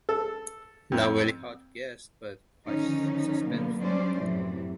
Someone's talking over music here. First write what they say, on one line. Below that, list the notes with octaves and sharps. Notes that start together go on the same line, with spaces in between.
Not very hard to guess, but quite suspenseful.
A4
F2
D3 D#3 F3 C#4 D#4
B2 D3 F#3 A#3 B3
F#3 G3 C#4 D4 C5 D5
F#2 A2 C3 E3